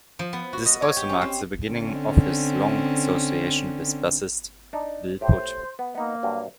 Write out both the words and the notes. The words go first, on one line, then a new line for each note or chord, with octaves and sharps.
This also marked the beginning of his long association with bassist Bill Putt.
F3
B3
F#4
D#5
C#5
G4
C#4
C4
D3 C4 C#4
D4 D#4
A2 G4 C5
B3
A#3 B3 D#4
G2 F#3